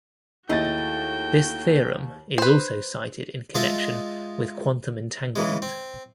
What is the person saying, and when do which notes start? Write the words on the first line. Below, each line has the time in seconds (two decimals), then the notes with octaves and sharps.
This theorem is also cited in connection with quantum entanglement.
0.49 D#2 A3 E4 F#4 G#4 D#5 G5 A6
2.38 B4 C5
3.55 G#3 F4 D#5 E5 A5 D#6
5.36 C#3 E3 G#3
5.62 C4